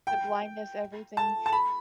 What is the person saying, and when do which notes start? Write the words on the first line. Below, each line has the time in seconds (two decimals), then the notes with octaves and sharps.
The blindness, everything.
0.07 G5
1.17 A5
1.46 A5
1.52 B5